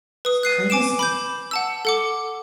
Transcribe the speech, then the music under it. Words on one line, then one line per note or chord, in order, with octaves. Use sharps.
it's crazy.
B4 D#6
F#6 C7 D#7
G#5 D6 D7 E7
B5 D6 G6
F#5 A5 E6
A4 F#5 D6